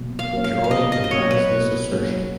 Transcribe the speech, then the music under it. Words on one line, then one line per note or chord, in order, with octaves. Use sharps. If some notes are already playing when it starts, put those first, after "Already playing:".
Joy denies this assertion.
Already playing: B2 F#3 A#3
F5
F#3 A#3 C#4
F5
F5
B2 D#5
D#5
D#5
F#3 A#3 C#4 C#5
B4
B2
F#3 A#3 C#4